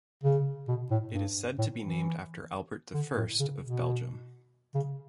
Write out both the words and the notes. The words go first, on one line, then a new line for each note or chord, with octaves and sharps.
It is said to be named after Albert the First of Belgium.
C#3
B2
A2
G2
A2
E3
D3
A2
C#3
B2
C#3